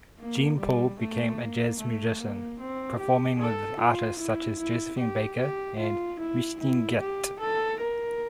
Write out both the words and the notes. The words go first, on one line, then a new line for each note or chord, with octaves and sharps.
Jean-Paul became a jazz musician, performing with artists such as Josephine Baker and Mistinguett.
A#3
G3
A3
A#3
A3
A#3
C4
G4
A4
F4
E4
E4
G4
G4
F4
E4
E4
G4
A4
A#4